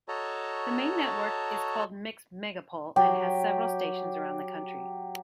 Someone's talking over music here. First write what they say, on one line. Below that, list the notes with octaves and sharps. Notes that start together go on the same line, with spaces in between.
The main network is called Mix Megapol and has several stations around the country.
F#4 A4 C#5 D#5 A5 A#5
F#3 G4